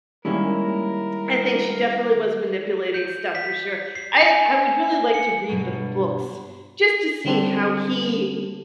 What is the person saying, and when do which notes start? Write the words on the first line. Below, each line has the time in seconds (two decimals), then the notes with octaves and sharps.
I think she definitely was manipulating stuff for sure, I I would really like to read the books, just to see how he
0.25 D#3 G3 G#3 A#3 C#4 E4 A#4
2.94 G6
3.35 B6
3.95 C7
4.22 G#5
5.14 C#7
5.49 G2 B2 D3 F#3
7.25 D3 G3 C4 A4